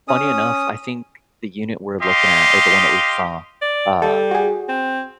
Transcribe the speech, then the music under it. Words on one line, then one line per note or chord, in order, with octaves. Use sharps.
funny enough, I think the unit we're looking at or the one that we've saw, um,
C#4 D#6
G4 D#5 F5 C6
D5
G3 A4
F#4 G#4
C4